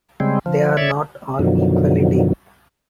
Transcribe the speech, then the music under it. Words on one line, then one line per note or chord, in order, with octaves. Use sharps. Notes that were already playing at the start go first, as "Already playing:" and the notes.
They are not all equally deep.
C#3 G3 G#3 C4
F3
C#5 D5 E5
F#2 B2 D3 D#3 F3 F#3